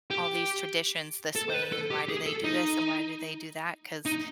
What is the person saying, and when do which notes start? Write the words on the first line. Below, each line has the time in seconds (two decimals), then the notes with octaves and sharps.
all these traditions this way? And why do they do this, and why do they do that?" 'Cause
0.11 G4
1.36 A4
1.50 C5
1.54 B4
1.72 A4
1.90 G4
2.09 G#4
2.26 A4
2.44 D#4
4.06 D#4